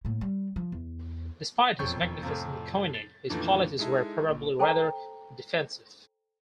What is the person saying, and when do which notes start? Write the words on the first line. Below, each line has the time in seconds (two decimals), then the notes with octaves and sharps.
Despite his magnificent coinage, his policies were probably rather defensive.
0.05 A2 A#3
0.21 G3
0.56 F3
0.72 E2
1.79 E1 F2 C4 C#5 C#6 G6
2.23 F2 A2 C3 F3
2.94 A6
3.30 F2 A#2 D#3 E3 A3 D4
3.79 G#3 D#4 E4 A4
4.28 A#1
4.59 A4 C5 G5 A5 A#5